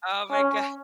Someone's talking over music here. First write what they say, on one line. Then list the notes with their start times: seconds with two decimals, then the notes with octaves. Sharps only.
Oh my god,
0.30 C#4